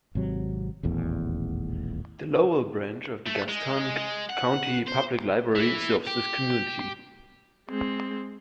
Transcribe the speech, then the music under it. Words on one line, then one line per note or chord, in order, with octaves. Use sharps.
The Lowell Branch of the Gaston County Public Library serves this community.
G#1 C3 F#3
D#1 A1 E2
A3
G#3
F#5
C5
E3
G4
G#3 C4